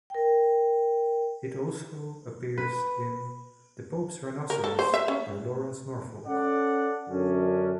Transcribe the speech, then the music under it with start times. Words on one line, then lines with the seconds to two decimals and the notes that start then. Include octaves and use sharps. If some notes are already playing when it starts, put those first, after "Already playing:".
It also appears in "The Pope's Rhinoceros" by Lawrence Norfolk.
0.10 A#4 G5
2.58 B4
4.50 A#4
4.64 A4
4.79 C5
4.94 E5
5.08 C#4
6.26 C#4 A4 D5 F#5
7.08 F#2 D3 C#4 D4